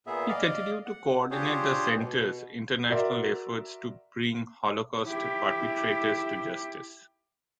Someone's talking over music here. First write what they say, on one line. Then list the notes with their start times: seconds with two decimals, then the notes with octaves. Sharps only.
He continued to coordinate the center's international efforts to bring Holocaust perpetrators to justice.
0.07 A#2 B3 G#4 E5
0.29 D5 D#5 F5
0.86 F#5
1.31 D4 F4 G4 G#4 C5 C#5
1.98 B2
2.89 F#4 A#4 D5 E5 C6
5.06 E4 G4